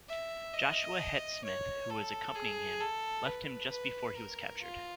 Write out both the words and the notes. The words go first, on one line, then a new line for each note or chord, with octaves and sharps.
Joshua Hett Smith, who was accompanying him, left him just before he was captured.
E5
D#5
C#5
A4
G#4
A4
B4
B4
A#4
F4